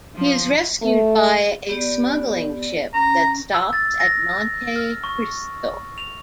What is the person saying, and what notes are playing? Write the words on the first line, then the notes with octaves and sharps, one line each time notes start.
He is rescued by a smuggling ship that stops at Monte Cristo.
F3
A3
B3 G4 D5
C#4 A#5
E6
A6
A#6
F6
C#6
F7